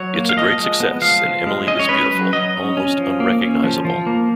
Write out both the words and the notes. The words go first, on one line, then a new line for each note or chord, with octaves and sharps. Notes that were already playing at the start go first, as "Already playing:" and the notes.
It's a great success and Emily is beautiful, almost unrecognizable.
Already playing: F#3 C#5
A#3
F5
F3 D#5
G#3
B3
F3 F5
F3
G#3
C#4 D#5
C#5
C#4 B4
F#3 B4
F#3 D#5
C#4
C#4
F3
A#3
C#4
F3
F3
A#3